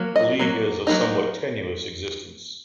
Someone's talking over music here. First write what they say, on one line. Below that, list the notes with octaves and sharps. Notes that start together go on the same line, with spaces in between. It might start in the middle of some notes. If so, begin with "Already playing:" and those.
The league has a somewhat tenuous existence.
Already playing: F#3 A#3
D#5
F#3 A#3
F#3 A#3 D#4